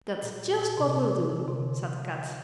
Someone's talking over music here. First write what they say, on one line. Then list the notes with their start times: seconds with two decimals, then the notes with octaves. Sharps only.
"That's just what we'll do," said Kat.
0.22 A#2
0.77 C3
1.32 E3
1.40 D3
1.48 C3
1.56 D3